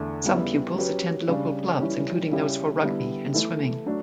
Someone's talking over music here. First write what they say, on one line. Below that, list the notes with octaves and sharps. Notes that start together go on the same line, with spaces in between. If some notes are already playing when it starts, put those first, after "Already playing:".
Some pupils attend local clubs including those for rugby and swimming.
Already playing: E2 D3 A3 E4 A4
C#3 G3 B3 E4
F#3 C#4 G4 B4
C#3 G3 D4
E3 G3 C#4
C#3 G3 C#4 E4 G4
D3 G3 B3 E4
E3 A3 E4 A4
F#3 A3 D4 F#4